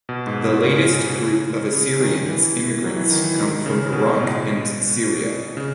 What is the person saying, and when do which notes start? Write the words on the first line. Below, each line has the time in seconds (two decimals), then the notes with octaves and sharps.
The latest group of Assyrians immigrants come from Iraq and Syria.
0.09 B2
0.27 G#2
0.45 B2
0.64 C#3
1.73 C#3
2.00 D#3
2.29 E3
2.84 F#3
2.96 E3
3.11 D#3
3.24 E3
3.39 D#3
3.66 C#3
3.93 B2
4.16 A2
4.20 B2
5.57 C#3